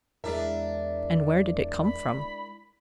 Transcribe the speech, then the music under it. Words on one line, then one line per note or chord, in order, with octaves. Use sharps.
"And where did it come from?"
E2 G#3 D4 E4 A#4 E5
B5